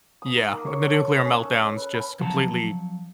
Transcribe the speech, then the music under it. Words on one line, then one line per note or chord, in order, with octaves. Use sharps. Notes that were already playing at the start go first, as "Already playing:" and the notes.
Yeah, when the nuclear meltdowns just completely
D#6
D#4
A#3
C#5
A4
B4
C#4
E6
B4
B5
F3 F#3 C4 F#5 A5 A#5